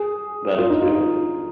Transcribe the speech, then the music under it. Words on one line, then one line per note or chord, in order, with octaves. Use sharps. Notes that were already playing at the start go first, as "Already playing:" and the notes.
that experience.
Already playing: G#4
F4
D#4
F4